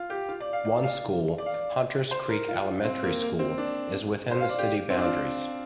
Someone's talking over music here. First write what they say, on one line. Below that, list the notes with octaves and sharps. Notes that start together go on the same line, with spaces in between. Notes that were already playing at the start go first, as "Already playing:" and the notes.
One school, Hunters Creek Elementary School, is within the city boundaries.
Already playing: F4
G4
F4
D5
F5
D5
F5
D5
F5
D5
C5
A#4
F4
C4
A#3
A#3
C4
D4
C5
F5
D5
G4
C4
D4
F4